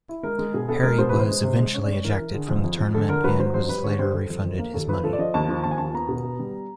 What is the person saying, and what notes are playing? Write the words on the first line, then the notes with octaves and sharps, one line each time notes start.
Harry was eventually ejected from the tournament and was later refunded his money.
E4
G#3 A#4
G#3
B2 G#4
B3 A4
G#3 A#4
B2 C5
E3 B4
C5
G#3
C3
G#3
C#4 C#5
D5
G#3 C#5
E3 A#4
E3
D3 G#4
F2
F2
F2
D3 A4
D3 A#4
F#3 B4
F#3 C5
F2 C5
G3 B4
D3 C#5
G3 C5
G3 A4
F2
F2
A#3
D#2 A4
F3 B4
F3 A4
D5
F3 D#5
D#2 A5
F3
D#2 A5
G#5
D#2 A5
B3 A#5
B2
B3
G3